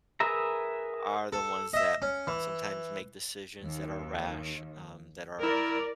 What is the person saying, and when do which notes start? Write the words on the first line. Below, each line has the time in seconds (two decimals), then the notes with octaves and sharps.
are the ones that sometimes, make, decisions that are rash, um, that are,
0.20 G#4 A#4 B4 E5 A#5
1.33 A4
1.73 D#5 E5
2.02 C#4
2.27 E3
3.62 D#2
5.43 E4 A#4 D5